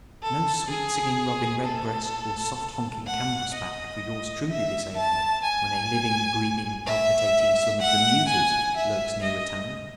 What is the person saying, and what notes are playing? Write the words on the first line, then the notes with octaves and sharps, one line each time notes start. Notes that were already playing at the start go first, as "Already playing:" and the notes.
No sweet-singing robin-redbreast or soft-honking canvasback for yours truly this A.M., when a living, breathing, palpitating son of the Muses lurks near at hand.
A4
G#4
A4
F#5
D#5
E5
A5
G#5
E5
F#5
G#5
E5
D#5